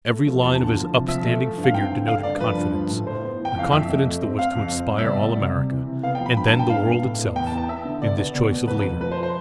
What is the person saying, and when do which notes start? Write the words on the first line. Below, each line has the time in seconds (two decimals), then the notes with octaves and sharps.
Every line of his upstanding figure denoted confidence--a confidence that was to inspire all America, and then the world itself, in this choice of leader.
0.09 A3
0.26 F3
0.42 E2 A5
0.59 D3
0.75 F3
0.92 C3
1.08 F3 E5
1.25 A3
1.41 F3
1.58 G2
1.64 F5
1.74 C4 G5
1.91 D3
2.07 A3 F5
2.23 G2 D5
2.40 F3 B4
2.57 G2
2.74 F3
2.90 A2
3.06 A2 C5
3.23 B3
3.40 E3 G5
3.56 F2 F5
3.72 F2 E5
3.89 F2
4.06 A3
4.22 C4
4.39 C4 F5
4.55 F2
4.72 C4
4.88 G3
4.98 E5
5.05 B2 D5
5.21 G3
5.37 C3
5.54 C3
5.71 E3
5.87 C3
6.03 B3 F5
6.15 G5
6.20 F3
6.26 B5
6.37 G2 B5
6.47 A5
6.53 G2
6.59 G5
6.70 B3 F5
6.86 B3
7.03 A2
7.19 B3
7.36 E2 G5
7.47 A5
7.52 B3
7.58 A5
7.69 B3 E5
7.85 D3
8.02 B2 D5
8.18 B3
8.35 B2
8.51 B2
8.68 F2 B4
8.79 B4
8.84 F3
9.01 F3 B4
9.12 C5
9.23 C5